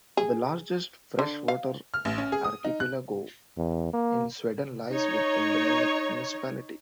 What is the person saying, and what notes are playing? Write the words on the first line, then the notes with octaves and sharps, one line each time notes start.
The largest fresh water archipelago in Sweden lies within the municipality.
G#4
D3
F5
F6
A1
C#4
G#4
D#6
D#4
F#6
E2
A#3
D#4 C#5